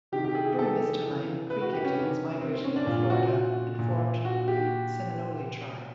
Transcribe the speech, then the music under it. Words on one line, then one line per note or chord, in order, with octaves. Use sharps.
During this time, Creek Indians migrated into Florida and formed the Seminole tribe.
C3 D#3 G4
G4
G#4
G#4
A4
C3 E3
B4
F#4
G4
C#4
C3 D#3
C4
C4
C#4
D4
A#2 F4
F#4
A#2
F#4
G4